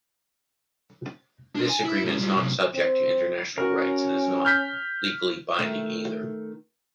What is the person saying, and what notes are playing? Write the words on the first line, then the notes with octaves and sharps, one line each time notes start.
This agreement is not subject to international rights and is not legally binding either.
D4 A#4
G#5
E4
G#2 C#4
F3 G3
F#2 C3
C4
C#4 F#4 A#4
F6 G6 B6
D#3 A3